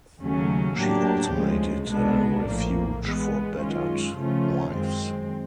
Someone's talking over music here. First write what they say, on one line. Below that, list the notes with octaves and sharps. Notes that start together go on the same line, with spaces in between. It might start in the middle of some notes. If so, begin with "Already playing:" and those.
She also made it a refuge for battered wives.
D#2 C#3 F#3 A3 C#4
A2 F#3 A#3 D4 G4
D2 C#3 F3 G#3
C2 B2 G#3 B3 D4
A#1 A2 F3 A#3
E3 G#3 B3
F#2 D#3 G#3 C#4 F4
C#3 F3 A3 C#4 F4
F#2 D#3 G#3 C4